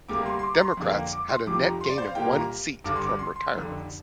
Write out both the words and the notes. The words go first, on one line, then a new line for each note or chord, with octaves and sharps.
Democrats had a net gain of one seat from retirements.
D2 C3 G3 A#3 D6
C6
C6
D6
A#5
C6
F2 D3 A#3
D6
C6
F1 F2 C3 F3 D6
A#5
C6
D5
C5
F5
C2 A#2 A#3 G5
A#5
G1 G2 D3 D6
C6
D6
C6
C6
F1 F2 D3